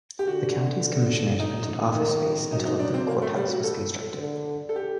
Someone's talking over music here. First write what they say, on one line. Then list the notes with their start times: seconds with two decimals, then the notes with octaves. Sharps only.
The county's commissioners rented office space until a brick courthouse was constructed.
0.19 G4
0.27 D3 F#4
1.40 D#4
1.96 D#3
2.52 F#3 D#4
2.65 D#4
2.79 D4
2.94 C4
3.08 A#3
3.22 A3
3.36 G3
3.50 F#4
3.64 A4
4.20 D3
4.69 A4
4.76 G4